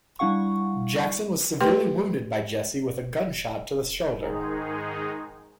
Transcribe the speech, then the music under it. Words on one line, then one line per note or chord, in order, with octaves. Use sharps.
Jackson was severely wounded by Jesse with a gunshot to the shoulder.
G3 D4 E4 F5 F#5 C#6
A3 G4 B4 G5 C6
G#2 D#3 G#3 D#4 G#4